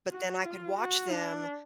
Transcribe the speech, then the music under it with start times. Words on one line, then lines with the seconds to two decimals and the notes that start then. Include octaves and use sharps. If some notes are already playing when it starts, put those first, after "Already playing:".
But then I could watch them
0.11 F#4
0.45 F4
0.79 F#4
1.13 D4